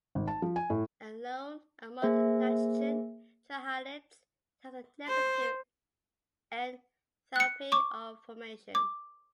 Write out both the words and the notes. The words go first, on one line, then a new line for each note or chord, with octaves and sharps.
Alone among the nitrogen trihalides it has a negative enthalpy of formation.
G#1
A5
F3
G#5
A2
A#3 G#4 C5 E5
C5
F#6 C#7
C#6 D6
D6